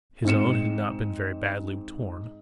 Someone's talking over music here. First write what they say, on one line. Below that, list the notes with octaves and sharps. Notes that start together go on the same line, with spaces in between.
His own had not been very badly torn.
G#2 C4 C#7 E7